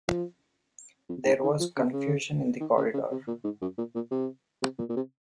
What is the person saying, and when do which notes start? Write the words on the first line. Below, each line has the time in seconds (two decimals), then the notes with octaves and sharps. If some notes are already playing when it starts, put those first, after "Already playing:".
There was confusion in the corridor.
0.08 F3
1.09 F2
1.25 G#2
1.43 D#3
1.60 F3
1.76 C#3
1.93 C#3
2.60 D#3
2.77 C#3
2.94 C#3
3.11 C3
3.28 A#2
3.44 G#2
3.62 F#2
3.78 A#2
3.95 A#2
4.11 C3
4.62 C3
4.79 A#2
4.89 A#2
4.96 C3